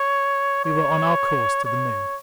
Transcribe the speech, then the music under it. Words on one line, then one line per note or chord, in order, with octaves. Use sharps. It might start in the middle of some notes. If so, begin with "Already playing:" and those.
We were on our course to the Moon.
Already playing: C#5
C#5
C#5